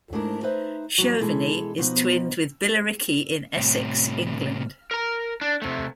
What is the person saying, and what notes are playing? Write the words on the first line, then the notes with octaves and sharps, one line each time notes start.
Chauvigny is twinned with Billericay in Essex, England.
G#2 A3 D4 E4 A#4
D#4 B4 C5 E5
G2 E3 F#3
B2 E3 G#3 E4 G#4 A4
B2 F3 B3 D#4
A2 C3
A#4 A#5
D4
C3 A3